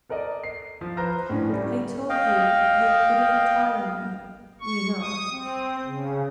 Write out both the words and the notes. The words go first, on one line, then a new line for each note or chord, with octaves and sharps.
I told you, you couldn't tire me, you know.
A4 A#4 D5 D#5
C7
F3
B4 C5 A#5 F6 A#6
A2 D3 C#4
G3 A3
D#5 F5 G5
C#6
D#6
C4
C#3